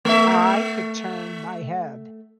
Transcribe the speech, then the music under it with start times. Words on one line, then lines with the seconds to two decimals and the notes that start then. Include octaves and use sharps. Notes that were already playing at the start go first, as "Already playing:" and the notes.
I could turn my head.
0.05 A3 E5